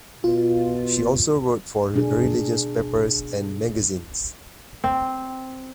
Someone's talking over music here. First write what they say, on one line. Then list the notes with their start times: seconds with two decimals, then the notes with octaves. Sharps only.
She also wrote for religious papers and magazines.
0.24 B2 F4
1.94 B2 D4 G#4
4.84 C4